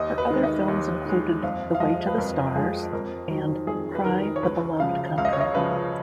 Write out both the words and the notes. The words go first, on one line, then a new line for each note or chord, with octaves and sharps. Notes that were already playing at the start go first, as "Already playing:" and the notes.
Her other films included "The Way to the Stars" and "Cry the Beloved Country".
Already playing: D#2 D#5
B4
D#3 G#3
D#5
D#2
D#3 G#3
F2 F5
F5
F3 G#3 D#5
B4
F2 A#4
F3 G#3 G#4
F2 A#4
D#3 F#3
F2 G#4
B4
D#3 F#3 A#4
C#5
C#2 B4
C#3 F3 F5
C#2 F5
D#5
C#5
D#5
C#3 F3 B4